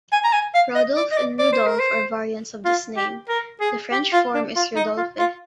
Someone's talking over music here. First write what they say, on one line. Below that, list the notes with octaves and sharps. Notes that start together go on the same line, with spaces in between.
Rodulf and Rudolf are variants of this name; the French form is "Rodolphe".
G#5
A#5
G#5
F5
D#5
D5
D#5
D5
D5
C5
A#4
C5
F4
G4
A#4
G#4
G4
F4
D4
F4
D#4
F4
F4